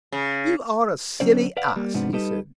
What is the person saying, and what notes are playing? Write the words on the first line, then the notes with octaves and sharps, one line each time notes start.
"You are a silly ass," he said.
C#3
D3 F#3 C#4 C5 D5
B4 D5 F5 F#5
G3 A#3
G#2 C3 F3 G#3 B3 D4
G3 D#4 G4 A4 B4 D#5